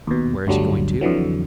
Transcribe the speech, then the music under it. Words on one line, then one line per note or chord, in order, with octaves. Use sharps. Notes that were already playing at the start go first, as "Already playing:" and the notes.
Where is he going to?
D#2 B2
G1 D2 D3 F#3 G3 D4
F2 D3 E3 F#3